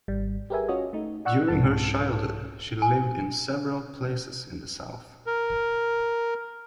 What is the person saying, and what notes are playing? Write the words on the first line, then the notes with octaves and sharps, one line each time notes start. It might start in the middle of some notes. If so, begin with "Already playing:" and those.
During her childhood, she lived in several places in the South.
G#1 G3
G4 G#4 A#4 B4 E5 G#5
C#4 F4 F#4 C#5 D#5
A3 D#4
D5 F#5 C#6 E6 F#6
C2 G#2 C3 A4 A5
G#5
A#4